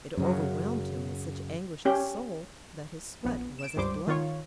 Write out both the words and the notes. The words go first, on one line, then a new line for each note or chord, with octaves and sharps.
It overwhelmed him with such anguish of soul that His sweat was as blood.
F#2 C#3 F#3
C#4 G4
A#1 B3
D7 E7
C#2 G2 G3 C5 D6
D#3 F4 C#5